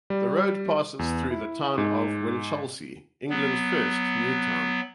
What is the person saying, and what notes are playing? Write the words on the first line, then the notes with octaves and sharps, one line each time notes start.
The road passes through the town of Winchelsea, England's first new town.
G3
E2
E4
G#2
F#3 B3